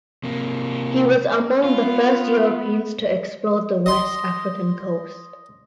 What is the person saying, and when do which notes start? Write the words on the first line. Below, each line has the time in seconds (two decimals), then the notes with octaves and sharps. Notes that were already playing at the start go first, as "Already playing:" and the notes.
He was among the first Europeans to explore the West African coast.
0.24 C3 A#3
1.64 B3 F4
3.86 D#5 C6